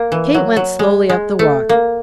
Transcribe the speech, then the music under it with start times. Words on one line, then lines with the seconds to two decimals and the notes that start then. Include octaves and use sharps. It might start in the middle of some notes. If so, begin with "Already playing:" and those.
Kate went slowly up the walk.
Already playing: A#3
0.12 E3
0.35 F#3
0.57 F#3
0.79 G#3
1.09 G#3
1.39 A3
1.69 A#3